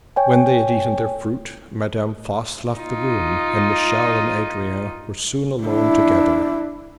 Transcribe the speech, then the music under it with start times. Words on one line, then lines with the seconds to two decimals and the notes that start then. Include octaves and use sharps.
When they had eaten their fruit, Madame Voss left the room, and Michel and Adrian were soon alone together.
0.16 C#5 G5 G#5
2.78 D#4 F4
5.64 D4 E4